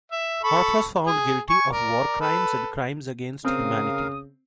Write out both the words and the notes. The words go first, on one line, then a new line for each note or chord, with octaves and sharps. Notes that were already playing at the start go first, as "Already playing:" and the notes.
Hoth was found guilty of war crimes and crimes against humanity.
E5
A4 B5 C#6
G#4
G#5 C#6
A#4 D5
A4 B4
C#3 C4 A#4 F5 D#6